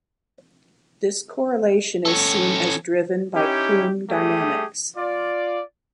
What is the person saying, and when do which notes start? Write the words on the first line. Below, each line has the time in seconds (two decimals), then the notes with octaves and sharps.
This correlation is seen as driven by plume dynamics.
2.05 C#4 A4
3.35 C#4 D#4 E4 G4
4.10 G3 A3 G4 G#4 D#6
4.97 F4 D5